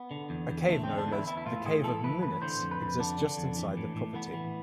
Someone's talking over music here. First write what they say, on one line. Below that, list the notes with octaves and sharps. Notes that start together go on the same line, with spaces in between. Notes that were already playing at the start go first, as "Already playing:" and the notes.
A cave known as "The Cave of Munits" exists just inside the property.
Already playing: B3
D3
E2
E2
D3 A3
C4
D3
D4
E2 E4
E3 E4
E4
A2 F4
A2 G#4
E3 A4
E3 B4
A2 B4
D3 C5
F2
B4
F2
D3 D4
D3
F2
E3
A2
A2
E3 B3
E3